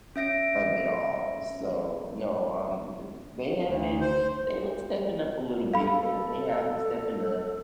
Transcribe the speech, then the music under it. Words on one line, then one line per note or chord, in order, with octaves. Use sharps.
of it all. So, no, um, th they have been they've been stepping up a little bit. They they have been stepping up.
C#4 E5 A#6 D7
D2
C5
A4 F5 B5